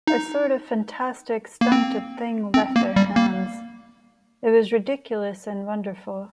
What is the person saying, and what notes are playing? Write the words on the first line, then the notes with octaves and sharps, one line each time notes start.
A sort of fantastic stunted thing left their hands; it was ridiculous and wonderful.
D#4
A#3
C4
C4
A#3
G3
A#3